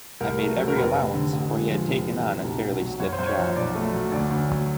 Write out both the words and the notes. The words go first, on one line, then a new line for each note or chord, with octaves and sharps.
I made every allowance, for he had taken on a fairly stiff job.
C2 A#4
A3
F#3
A#4
F1 B4
F1
D3
A1
G#3
F3
F1
E3
C3
B1
B1
F#3
F#2 C#5
C5
F#2
C#5
F3
B1 D5
A3
F#3
D2 D5
D2
F#3